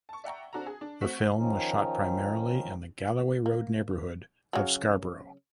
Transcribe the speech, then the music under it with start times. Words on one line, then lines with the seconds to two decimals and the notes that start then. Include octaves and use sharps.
The film was shot primarily in the Galloway Road neighbourhood of Scarborough.
0.09 A5 C#6
0.24 D5 E5 F#5 G5 A#5 C#6
0.53 C4 D4 F#4 A4 A#5
0.66 G#4
0.81 D4
1.01 A3 C4 F#4 C#6 B6
1.36 D#3 F3 C#4 D#4
3.46 A#3
4.53 C#3 F#3